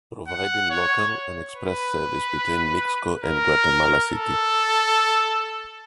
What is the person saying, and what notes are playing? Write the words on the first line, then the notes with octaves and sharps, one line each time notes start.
Providing local and express service between Mixco and Guatemala city.
F#5
C#5
B4
A#4
A4